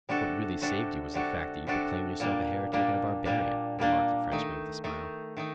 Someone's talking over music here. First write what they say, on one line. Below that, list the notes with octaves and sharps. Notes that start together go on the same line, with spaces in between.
"What really saved you was the fact that you proclaimed yourself a heretic and a barbarian," remarked the Frenchman with a smile.
C3 G3 D4 F#4 A4
C3 G3 D4 F#4 A4
C3 G3 D4 F#4 A4
C3 G3 D4 F#4 A4
A#2 G3 A#3 D4
A#2 G3 A#3 D4
A#2 G3 A#3 D4
A#2 G3 A#3 D4
D#3 A3 D#4
D#3 A3 D#4
D#3 A3 D#4